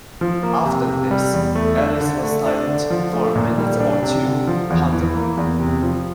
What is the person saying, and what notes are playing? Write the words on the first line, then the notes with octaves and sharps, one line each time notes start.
After this, Alice was silent for a minute or two, pondering.
F3
A#3
C3
C3
G3
E2
A3
D4
D3
A3
D4
D3
F3
A3
A#2
G3
D4
C3
D3
F3
E2
E3
A#3
E2
C3
F3